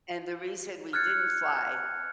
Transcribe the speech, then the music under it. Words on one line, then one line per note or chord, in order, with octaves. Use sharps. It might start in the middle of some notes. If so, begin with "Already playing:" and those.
and the reason we didn't fly
F6 F#6 G#6 A6 C#7